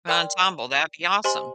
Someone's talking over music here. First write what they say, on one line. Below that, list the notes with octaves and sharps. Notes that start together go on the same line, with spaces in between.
an ensemble, that'd be awesome.
A#4 D5 G5 C6 F6
G4 C5 D#5 G#5 C6